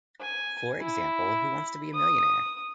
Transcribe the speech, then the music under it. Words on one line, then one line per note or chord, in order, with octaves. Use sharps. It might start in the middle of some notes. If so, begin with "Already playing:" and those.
For example, Who Wants to Be a Millionaire?
G#5
E4
D#6